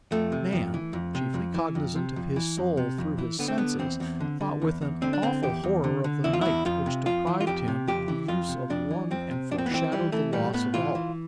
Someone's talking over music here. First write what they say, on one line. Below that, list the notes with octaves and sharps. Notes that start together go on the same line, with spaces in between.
Man, chiefly cognizant of his soul through his senses, thought with an awful horror of the night which deprived him of the use of one and foreshadowed the loss of all.
F2 A3
C3
F2
E3
F2
C3
F2
E3
F2
C3
F2
E3
F2
C3
F2
E3
D3 B3
C4
D3 B3
E2 C4
E2
D3
D3
E2
E2
D3 C4
D4
D3 C4
E2 G4
E2
D3
D3
E2 E4
F4
E2 E4
F2 F4
C3
F2 F4
E3
F4
F2 G4
C3
F2 G4
E3
F2 F4
C3
F2 D4
E3
F2 C4
C3
F2 D4
C4
B3
E3 C4
E3 G3
E3 A3
A2 G3
A2 B3
E3 F4
E3